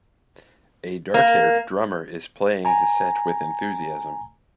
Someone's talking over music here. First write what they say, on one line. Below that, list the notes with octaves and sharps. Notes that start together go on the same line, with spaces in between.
A darkhaired drummer is playing his set with enthusiasm.
A#3
G#5 A#5